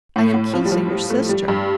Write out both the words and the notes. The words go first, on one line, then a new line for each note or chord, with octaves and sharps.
I am Kisa, your sister!'
A2
A2
F3
G3
F3
G3
A3
G3
G2